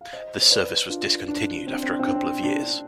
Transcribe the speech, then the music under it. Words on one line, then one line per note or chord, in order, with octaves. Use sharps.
This service was discontinued after a couple of years.
F5
C5 D#5
C5
B4 D5
D4 F4
D4
C4
D4
C4
D4
C4
D4
C4
D4
D4